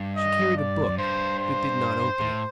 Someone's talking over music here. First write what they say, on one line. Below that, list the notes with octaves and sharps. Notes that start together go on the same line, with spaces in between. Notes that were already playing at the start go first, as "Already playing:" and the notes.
She carried a book, but did not open it.
Already playing: G2
D#5
D5
F#2
G2 C5
C5
A2